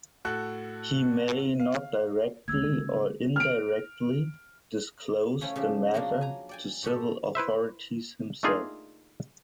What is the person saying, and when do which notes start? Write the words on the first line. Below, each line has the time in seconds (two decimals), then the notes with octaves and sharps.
He may not directly or indirectly disclose the matter to civil authorities himself.
0.25 A2 F#4 A4 F#6
1.60 F5
2.48 D2 G#3 A#3 E6 G#6
2.72 C#3
3.36 F6 D7
5.41 F3 A3 C#4 E4 G5 G#5
5.56 C#3 F3 D4 G4
5.94 B2 F3 F#3 A#3 D4 F4
6.21 G#5 A#5
6.49 D5 G5 G#5
6.83 G#2 F#4 G4 A4
7.35 E4 B4 C5 E5
8.43 A3 A#3 D4 D#4 F4 G#4